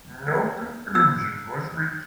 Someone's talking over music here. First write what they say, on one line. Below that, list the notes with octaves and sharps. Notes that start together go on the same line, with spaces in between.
No conclusion was reached.
E6